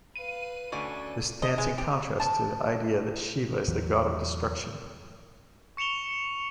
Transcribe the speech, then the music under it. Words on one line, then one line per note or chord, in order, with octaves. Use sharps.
This stands in contrast to the idea that Shiva is the God of destruction.
B4 F5 D#7
D2 C#4 D4 A4 G#5
D#5
G#3
G4
A5
E2 G#2 E3 F#3
C#6 C#7 E7 F7 G7